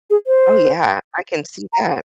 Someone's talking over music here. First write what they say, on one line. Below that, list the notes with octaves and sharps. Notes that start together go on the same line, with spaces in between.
Oh, yeah. I can see that.
G#4
C5
A#5